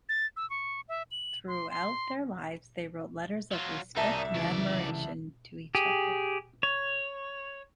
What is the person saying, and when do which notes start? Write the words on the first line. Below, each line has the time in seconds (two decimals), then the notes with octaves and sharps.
Throughout their lives, they wrote letters of respect and admiration to each other.
0.09 A6
0.36 E6
0.50 C#6
0.89 E5
1.11 F#7
1.48 C6
1.70 C6
3.52 F#3 F4
3.97 C2 C#3 D#4 A#4 D5 E5 A5
4.34 C#2 C#3 E3 F#3 D5
5.75 G4 G#4
6.63 C#5